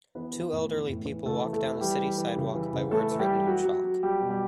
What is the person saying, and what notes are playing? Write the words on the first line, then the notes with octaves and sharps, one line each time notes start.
Two elderly people walk down a city sidewalk by words written in chalk.
E3 B3 B4
E3
A2
E3
A2
E3
C#3 A3 A4
E3
A3 A4
E3
E3 G3 G4
E3
E3
C#3
E3
C#3
E3 A3 A4
E3
G3 G4
E3
F#3 F#4
F#3
F#3
F#3 G3 G4
B2
G3 G4